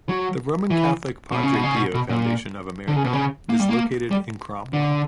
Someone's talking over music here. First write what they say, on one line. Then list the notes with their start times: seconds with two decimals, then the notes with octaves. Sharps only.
The Roman Catholic Padre Pio Foundation of America is located in Cromwell.
0.09 F#3
0.70 E3
1.32 B2
1.43 C#3
1.54 B2
1.63 C#3
1.75 B2
1.94 B2
2.09 A#2
2.88 D3
2.96 C#3
3.04 B2
3.13 C#3
3.49 A#3
3.60 G3
3.69 A#3
4.11 G3
4.73 D3